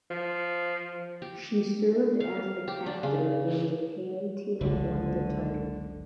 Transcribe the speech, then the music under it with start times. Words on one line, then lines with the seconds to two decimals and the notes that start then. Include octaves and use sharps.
She served as the captain and Japan team won the title.
0.10 F3
1.22 G4
2.20 F5
2.68 G4
2.86 D4
3.03 C#3
4.61 F#1 C#2 D3